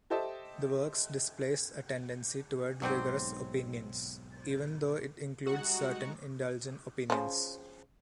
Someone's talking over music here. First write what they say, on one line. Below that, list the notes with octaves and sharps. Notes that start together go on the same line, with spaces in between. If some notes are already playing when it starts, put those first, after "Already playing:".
The works displays a tendency toward rigorous opinions, even though it includes certain indulgent opinions.
G4 A4 C5 D#5 E5 A5
B1 G#2 F#3 G3 C4
G3 G#3 D#4 F#4 F#5
C#3 F3